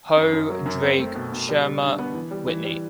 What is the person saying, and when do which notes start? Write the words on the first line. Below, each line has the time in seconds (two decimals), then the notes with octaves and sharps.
Howe, Drake, Shurmer, Whitney.
0.17 F#2
0.33 F#2
0.50 F#3
0.66 F#2
0.82 C4
0.98 A3
1.15 B2
1.32 B2
1.49 G3
1.66 G3
1.82 D3
1.99 B3
2.14 E3
2.31 G3
2.48 E3
2.64 G3